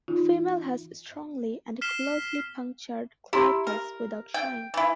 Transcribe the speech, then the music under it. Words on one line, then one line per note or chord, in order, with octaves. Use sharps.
Female has strongly and closely punctured clypeus without shine.
E3 D#4 F4
F6 B6 C7 E7 G7
E4 G4 A#5 C6
A#4
G5
E3 E4